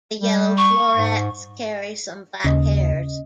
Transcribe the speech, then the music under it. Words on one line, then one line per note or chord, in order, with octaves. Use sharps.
The yellow florets carry some black hairs.
G3
C#6
G#2
D#2 C#3 D#5